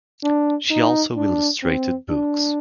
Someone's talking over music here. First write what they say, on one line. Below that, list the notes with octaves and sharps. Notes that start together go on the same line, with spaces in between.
She also illustrated books.
D4
D#4
D4
C4
D4